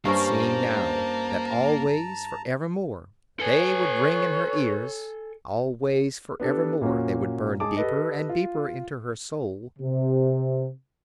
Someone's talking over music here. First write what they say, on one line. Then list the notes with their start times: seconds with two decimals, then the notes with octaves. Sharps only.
It seemed now that always, for evermore, they would ring in her ears; always, for evermore, they would burn deeper and deeper into her soul.
0.05 G2 A#3 C#4 C5 A5 A#5
3.40 A4 B4 C#5 G#5
6.40 B3 D4 G4 A4
6.81 A#2 A#3 C#4 F#4
7.60 G#2 G#4 A5 D6
7.77 G4 A4 B4 D#5
8.29 F4
9.79 C3